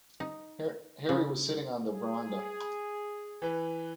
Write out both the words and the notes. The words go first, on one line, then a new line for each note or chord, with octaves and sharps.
Harry was sitting on the verandah.
D#4
C#3
G#4
E3 B4